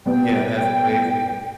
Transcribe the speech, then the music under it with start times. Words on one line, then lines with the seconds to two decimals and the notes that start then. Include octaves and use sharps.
Yeah. That's crazy.
0.06 B2 G3 B3 G5